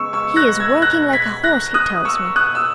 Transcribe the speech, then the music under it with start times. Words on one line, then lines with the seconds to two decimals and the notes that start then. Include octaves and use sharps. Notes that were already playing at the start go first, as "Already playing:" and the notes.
He is working like a horse, he tells me.
Already playing: C#3 G#3 B3 C#6 E6
0.13 C#6 E6
0.36 F#6 A#6
0.60 E6 G#6
0.82 F#6 A#6
1.13 G#6 B6
1.44 F#6 A#6
1.74 D#6 F#6
2.05 C#6 E6
2.36 D#6 F#6
2.55 E6